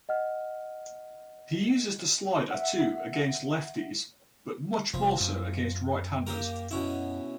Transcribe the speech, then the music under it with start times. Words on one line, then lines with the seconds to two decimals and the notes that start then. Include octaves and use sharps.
He uses the slider, too, against lefties, but much more so against right-handers.
0.09 D#5 F#5 F6
2.51 E5 F#5
4.93 F1 F3
5.20 F#2
6.27 A#3 G4 A#4
6.71 B2 C#4 E4